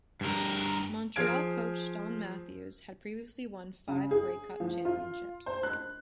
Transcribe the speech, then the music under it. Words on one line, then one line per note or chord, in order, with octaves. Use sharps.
Montreal Coach Don Matthews had previously won five Grey Cup championships.
G2 A#4
F3 G#4 C5 F6 G#6 D7
C#3
G#4
F3
F4
C5
F#6